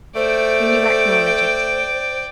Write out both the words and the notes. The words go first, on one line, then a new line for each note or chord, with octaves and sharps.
"Then you acknowledge it?"
A3 C5 D5 G5